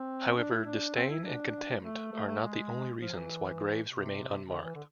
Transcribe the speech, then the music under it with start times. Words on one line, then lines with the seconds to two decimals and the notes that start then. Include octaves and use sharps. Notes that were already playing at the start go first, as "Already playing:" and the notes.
However, disdain and contempt are not the only reasons why graves remain unmarked.
Already playing: C4
0.37 D4
0.51 E4
0.65 D4
0.95 C4
1.09 E4
1.24 D4
1.82 A3
2.12 A3
2.27 A3
2.42 G#3
3.01 F3
3.14 E3
3.88 C3
4.47 D3
4.61 E3
4.75 D3